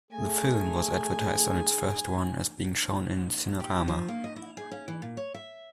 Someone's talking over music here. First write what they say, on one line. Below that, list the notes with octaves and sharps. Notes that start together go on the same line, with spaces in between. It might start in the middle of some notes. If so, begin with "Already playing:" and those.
The film was advertised on its first run as being shown in Cinerama.
A3 G#4 G#5
G4
F3
A#3
D#5
E4
G#4
C#4
E3
A#2
C#5
E5